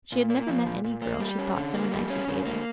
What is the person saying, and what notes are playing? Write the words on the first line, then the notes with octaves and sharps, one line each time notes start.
She had never met any girl she thought so nice as Ada.
A#2
A#3
F3
A#2
A#2
A#3
G3
C#4
D3
A#3
G3
C#4
D3
A#3